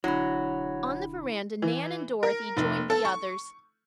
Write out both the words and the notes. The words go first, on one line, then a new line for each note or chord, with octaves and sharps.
On the veranda Nan and Dorothy joined the others.
E1 D3 F#3 E4 B5
E3
A#4
F1
A4
C#6